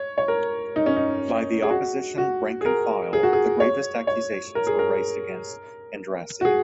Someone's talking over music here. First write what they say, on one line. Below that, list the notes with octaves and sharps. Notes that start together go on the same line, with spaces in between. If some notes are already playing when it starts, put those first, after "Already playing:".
By the Opposition rank and file the gravest accusations were raised against Andrassy.
Already playing: C#5
C#5
A#4
D#4
C#4
D#4
G#4
F#4
F#4
G#4
A#4
G#4
F#4
G#4
C#5
C#5
A#4
G#4
A#4
F#4
G#4